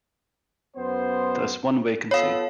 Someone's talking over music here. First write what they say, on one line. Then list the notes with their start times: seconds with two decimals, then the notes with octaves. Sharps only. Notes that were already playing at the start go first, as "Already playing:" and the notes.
There is one vacancy.
0.76 F#2 B3 C5
2.11 B3 F4 A4 C#5 F5